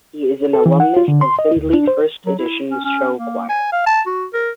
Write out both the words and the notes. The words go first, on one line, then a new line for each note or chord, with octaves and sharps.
He is an alumnus of Findlay First Edition Show Choir.
A4
E3
F#5
F4
D3
C6
D#5
D2
D4
C5
F#3
E4
C#4
C#4
A#3
G#5
F5
A5
F#4
A#4